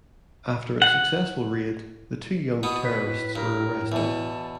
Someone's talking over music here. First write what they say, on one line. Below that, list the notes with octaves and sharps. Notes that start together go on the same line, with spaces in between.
After a successful raid, the two young terrorists were arrested.
F#5
B2 B3 D#6
A2 B4
G2 A#4
E2 B2 A5